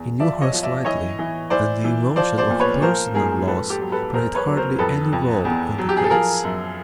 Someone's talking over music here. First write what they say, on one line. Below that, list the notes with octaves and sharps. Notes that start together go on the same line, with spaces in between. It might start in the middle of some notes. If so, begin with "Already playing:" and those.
He knew her slightly and the emotion of personal loss played hardly any role in the case.
Already playing: E2
F3 D5 E5
C#5 D#5
F3
D5 E5
E3 C#5 D#5
E3
E3 C5 D5
E3
F3 C5 D5
C5 D5
A#2
B4 C#5
F3 A#4 C5
G#2 G#4 A#4
F2 A4 B4
G4 A4
F#3
A4 B4
E2 A#4 C5
B4 C#5
F#3
A#4 C5
F2 A4 B4
F2
E2
F#3
G4
G#4
A4
F3 G#4 A#4
F#2